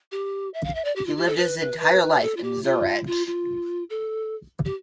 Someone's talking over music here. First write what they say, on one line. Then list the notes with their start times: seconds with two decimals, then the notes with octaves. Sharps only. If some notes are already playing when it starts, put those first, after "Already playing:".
He lived his entire life in Zurich.
0.12 G4
0.54 E5
0.64 F5
0.75 E5
0.85 D5
0.96 G4
1.06 F4
1.17 G4
1.27 A4
1.38 B4
1.59 B4
1.80 B4
2.22 A4
2.37 F4
2.43 G4
2.64 F4
3.07 F4
3.27 F4
3.90 A4
4.65 G4